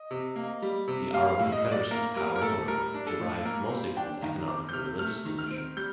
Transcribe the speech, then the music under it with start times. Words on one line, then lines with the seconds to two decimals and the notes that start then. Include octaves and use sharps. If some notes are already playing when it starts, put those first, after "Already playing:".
The Aro Confederacy's power, however, derived mostly from its economic and religious position.
Already playing: D#5
0.11 C3
0.36 A#3
0.62 G3
0.88 C3
1.14 G3 F5
1.32 F5
1.39 A2
1.52 D#5
1.65 A2
1.71 D5
1.91 A#3 A#4
2.16 G3 A#4
2.36 A#4
2.42 A2 A4
2.68 G3 A#4
2.94 D4
3.07 A4
3.20 A2
3.45 A#3 A#4
3.71 G3 C5
3.97 D4 G5
4.22 D#3 A#5
4.48 C4 D6
4.69 G6
4.73 C3 F6
4.99 A3 F6
5.25 D#3
5.38 F6
5.50 C4
5.77 G3 G6